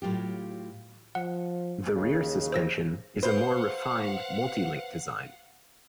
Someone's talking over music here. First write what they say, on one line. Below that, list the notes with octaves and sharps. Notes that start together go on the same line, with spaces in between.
The rear suspension is a more refined Multi-link design.
A2 F#3 F4 G4
F3 F#5
D#2 C#3
C5 E6 A#6
B4 C5 F5 F#5